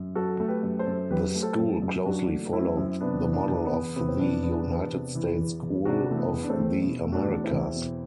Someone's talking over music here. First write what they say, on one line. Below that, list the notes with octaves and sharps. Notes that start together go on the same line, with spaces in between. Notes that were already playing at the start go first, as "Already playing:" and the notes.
The school closely followed the model of the United States School of the Americas.
Already playing: F#2
F#3 F#4 A4
A3
G4 B4
F#2
A4 C5
F#2
F#3 G4 B4
A3
A4 C5
F#2
F#2
F#3 D4 F#4
A3
F#2 C4 E4
F#2
C3 B3 D4
E3
B3 D4
E2
B3
E2
C3 B3
C4
E3 B3 D4
E2 B3 D4
E2 B3 D4
C3
E3
E2
E2
C3 D4 F#4
E3 A3
B3
E2
D4
A3 C4
E2
B2
A3
D4 F#4
E2
C4 E4
E2
B2